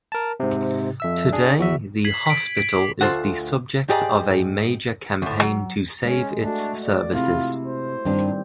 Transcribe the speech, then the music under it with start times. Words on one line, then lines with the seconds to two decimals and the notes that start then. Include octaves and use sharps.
Today the hospital is the subject of a major campaign to save its services.
0.12 A#4 A5
0.40 G#2 C3
1.00 F2 E5 E6
1.32 D4 G#4
1.59 E2 F#4 E5
2.05 G#6 B6 C7 F#7
2.26 B6 D7
2.57 B6 D7
2.74 D6
3.01 D2 D3 F4 A4 C5 F#5
3.89 G#2 G4 G#4 D5 A#5
5.22 D2 A2
5.41 F#3
6.05 G#3 C#4
6.43 A3 D4 F#4
6.84 D5
7.14 C3 E4 F4
7.66 C5
8.05 G2 D#3 G3 C4 D4